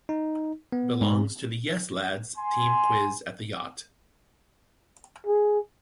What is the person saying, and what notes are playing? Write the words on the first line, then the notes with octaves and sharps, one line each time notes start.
Belongs to the Yes Lads team quiz at the yacht.
D#4
B3
G#2
G#5 C6
G#4